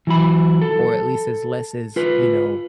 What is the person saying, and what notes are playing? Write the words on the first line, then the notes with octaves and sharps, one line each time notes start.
or at least as less as you know,
E3 F#3 B5
A4
F4 B4